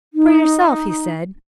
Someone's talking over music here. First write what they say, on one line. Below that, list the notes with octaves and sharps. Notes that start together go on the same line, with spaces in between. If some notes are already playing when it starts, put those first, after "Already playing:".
'For yourself,' he said.
D#4